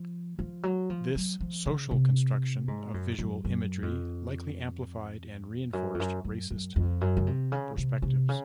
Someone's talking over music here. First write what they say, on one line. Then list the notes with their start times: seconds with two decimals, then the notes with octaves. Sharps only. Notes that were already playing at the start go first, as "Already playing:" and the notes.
This social construction of visual imagery likely amplified and reinforced racist perspectives.
Already playing: F3
0.39 F3
0.63 F#3
0.90 F3
1.15 F#3
1.40 F3
1.66 C#3
1.91 C3
2.68 G#2
2.94 F#2
3.19 F#2
3.45 F#2
3.82 F2
5.73 F#2
5.94 F2
6.00 F#2
6.24 F#2
6.51 F#2
6.76 F2
7.01 F#2
7.17 C#3
7.27 C3
7.52 C#3
7.77 C3
8.02 C3
8.29 C#3